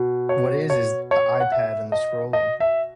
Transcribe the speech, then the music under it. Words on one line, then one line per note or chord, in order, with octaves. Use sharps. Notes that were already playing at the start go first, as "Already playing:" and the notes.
What it is is the iPad and the scrolling.
Already playing: B2
C#5
C#5
C#5
F#5
E5
D#5
D#5
E5